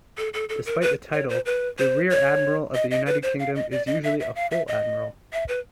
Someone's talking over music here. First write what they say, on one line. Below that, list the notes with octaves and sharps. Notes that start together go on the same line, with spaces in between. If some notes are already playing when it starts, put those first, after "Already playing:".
Despite the title, the Rear-Admiral of the United Kingdom is usually a full admiral.
A4
A4
A4
A#4
B4
C#5
C5
B4
C5
C#5
D#5
D#5
B4
C5
F5
D#5
D5
D#5
E5
E5
F5
E5
D#5
E5
B4